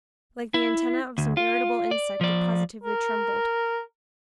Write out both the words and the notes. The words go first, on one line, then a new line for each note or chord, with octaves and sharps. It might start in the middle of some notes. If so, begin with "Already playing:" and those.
Like the antennae of some irritable insect it positively trembled.
E4
D2
F4
D5
F3 D5
A#4